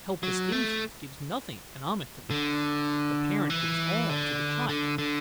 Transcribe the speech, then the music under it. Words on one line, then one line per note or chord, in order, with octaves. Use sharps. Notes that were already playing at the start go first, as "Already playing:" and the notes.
The helpless infant gives nothing economic to the parent, the parent gives all to the child.
F#3
A3
D3
E3
D3
D3
D3